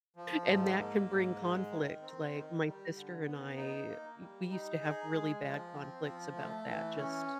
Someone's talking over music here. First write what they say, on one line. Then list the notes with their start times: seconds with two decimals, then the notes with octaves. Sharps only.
And that can bring conflict. Like, my sister and I w we used to have really bad conflicts about that just
0.16 F3
0.47 G#2
0.78 A#3
1.09 G#2
1.40 G#3
1.70 D#3
2.02 C4
2.33 D#3
2.64 G3
2.95 D3
3.26 B3
3.57 D#4
3.88 A#3
4.19 G3
4.50 D#4
4.81 G#4
5.12 G#3
5.42 F3
5.73 C4
6.05 F3
6.36 A3
6.66 E3
6.97 C#4